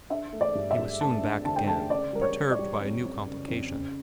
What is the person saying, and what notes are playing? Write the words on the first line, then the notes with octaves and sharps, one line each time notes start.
But he was soon back again, perturbed by a new complication.
D4 E5
A3
D5
G2
E5
G2
A3 A5
D4
D3 A5
G5
A3 A5
C#3 D5
G3 A#4
C#5
C#4
D5
G3
F2
F2
C#3
F2
C#3